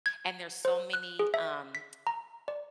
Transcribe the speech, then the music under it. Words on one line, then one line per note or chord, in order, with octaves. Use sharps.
And there's so many, um
G#6
C5
F#6
G#4
E5
B6
A#5
D5